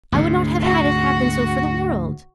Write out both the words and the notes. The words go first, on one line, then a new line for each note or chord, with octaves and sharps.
I would not have had it happen so for the world.
D2 G#2 C3
F#4